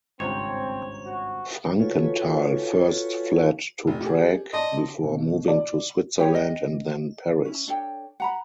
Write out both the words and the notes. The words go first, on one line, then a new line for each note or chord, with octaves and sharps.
Frankenthal first fled to Prague before moving to Switzerland and then Paris.
G#1 C#2 G2 C4 C5 C#5 A#5
F#4
F4 F#4 A4 B4 C#5 G#5
F1
G4 G#4
D5 D#5 A5 C6
B2
D5
E4 G4 G#4 C#5
D#5
C#4 E4
D4 A4 C#5 G5
F#5 A#5 B5